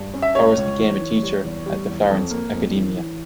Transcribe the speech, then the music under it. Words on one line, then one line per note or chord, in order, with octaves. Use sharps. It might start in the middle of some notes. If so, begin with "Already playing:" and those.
Powers became a teacher at the Florence Accademia.
Already playing: G2
C#4
E5
G#3 C#5
C#2
E3
E3
G3
E2
G3
E2
F2
A#3
F2
E3
E3